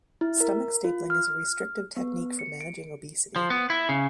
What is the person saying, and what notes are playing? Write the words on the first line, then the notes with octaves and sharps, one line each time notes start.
Stomach stapling is a restrictive technique for managing obesity.
E4
A#4
F4
F6
B3
C#7
D7
F3
B3
E4
C#3